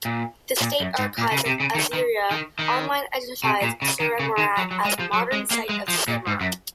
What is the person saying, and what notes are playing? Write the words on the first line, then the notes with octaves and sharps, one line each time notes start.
The State Archives of Assyria Online identifies "Surimarrat" as the modern site of Samarra.
A#2
A#2
F#2
G#2
A#2
C#3
C3
C#3
D#3
D#3
D#3
D#3
C3
A#2
C#3
D#3
C#3
D#3
F#3
F#3
G#3
F3
F#3
G#3
A#3
G#3
F3
A#2
G#2
F#2